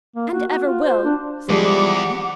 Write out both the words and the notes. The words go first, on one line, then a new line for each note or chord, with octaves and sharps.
'And ever will!' said the young man.
A#3
F#4
F#4
F4
C5
D4
E2 F3 G3 G#3 F#5 D6